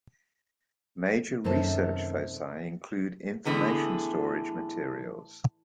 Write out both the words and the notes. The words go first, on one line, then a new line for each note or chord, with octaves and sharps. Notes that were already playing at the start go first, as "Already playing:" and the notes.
Major research foci include information storage materials.
F#2 C3 D#3 A#3 A4 A5
A2 D3 E3 B3 G#4